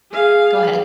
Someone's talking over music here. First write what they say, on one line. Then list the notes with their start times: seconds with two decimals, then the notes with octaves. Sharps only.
Go ahead.
0.10 G#4 F5